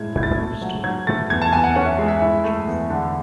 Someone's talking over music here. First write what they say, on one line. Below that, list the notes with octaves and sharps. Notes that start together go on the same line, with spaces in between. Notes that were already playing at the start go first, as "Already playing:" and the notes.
The four-story, building is called the Ron Joyce Centre.
Already playing: A2 G#3 E4 G#6
E4 G#6
A6
A3
F#3
F#3 G#6
A3 A6
E2 G#6
A5
E2 G#5
F#5
C#4 F#5
E5
G#3
E5
E4
A3
E2
D3